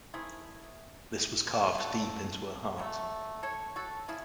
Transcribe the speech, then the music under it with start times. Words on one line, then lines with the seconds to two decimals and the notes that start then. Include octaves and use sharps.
This was carved deep into her heart.
0.14 D#3 A3 C4 E4 G#4
1.46 C#3 G#3 C4
1.78 F#4 A4
2.77 C#3 F#3 A3
3.43 A4 C#5
3.76 F#4 A4
4.08 C#3 E4 G#4